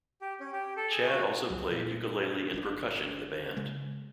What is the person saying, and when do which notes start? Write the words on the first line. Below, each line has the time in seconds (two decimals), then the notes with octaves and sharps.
Chad also played ukulele and percussion in the band.
0.21 G4
0.40 C#4
0.52 G4
0.76 A4
0.91 G#4
1.07 F#4
1.50 C2 F#3
1.71 A#2
2.54 G1 A#2 D4
3.57 C#3 G#3